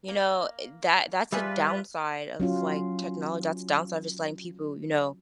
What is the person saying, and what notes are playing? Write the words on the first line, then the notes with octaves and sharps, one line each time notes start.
you know, i that that's a downside of, like, technology. That's a downside of just letting people, you know,
A#3
F3 G3 F4 G#4 B4 E5
F#3 C#4 F4